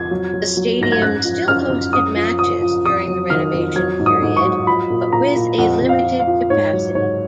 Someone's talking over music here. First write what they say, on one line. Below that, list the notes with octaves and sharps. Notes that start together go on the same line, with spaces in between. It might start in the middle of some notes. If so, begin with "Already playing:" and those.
The stadium still hosted matches during the renovation period, but with a limited capacity.
Already playing: F2 G#6
F#3
F#3
F#3
G#2 A#6
G#6
F#2 F#6
F3
F#2 F6
F#2
F#2 D#6
F3
F3 D#6
F3
F2 D#6
F#3
D#3 F6
F2
F#3 G#6
G#2
D#6
G#2
C#6
F#3
F3 B5
A#2
A#2 A#5
A#2
F2 F#5
F2
F5
F3
F5
F3
G#2 C#5
F#3
G#2 C#5